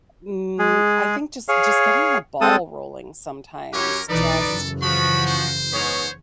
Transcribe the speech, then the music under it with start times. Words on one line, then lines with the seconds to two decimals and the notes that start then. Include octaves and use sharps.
mm, I think, just just getting the ball rolling sometimes, just
0.59 G#3 G#4
1.48 G#4 C#5 F5
2.41 G#3 C4 A4 A5 D#6
3.73 F#2 G4 A#4 C#5
4.09 B1 E3 D#4 A4 B4 D5
4.47 F#2 C#3 E3
4.82 F3 F#4 B5
5.27 C5
5.73 G#2 B3 C#5